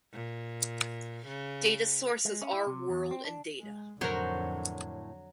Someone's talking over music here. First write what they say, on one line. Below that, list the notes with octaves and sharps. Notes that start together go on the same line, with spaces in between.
Data source is Our World in Data.
A#2
C#3
G#3
C#4
E4
C3
E2
C4
D4
G#3
F2 A2 D3 F#3 A#4 C5 C#5